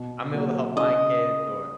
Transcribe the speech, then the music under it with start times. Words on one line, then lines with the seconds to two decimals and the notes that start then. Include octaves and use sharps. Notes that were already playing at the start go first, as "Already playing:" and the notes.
I'm able to help my kids or,
Already playing: B2
0.33 F#3 A#3
0.77 C#3 D#5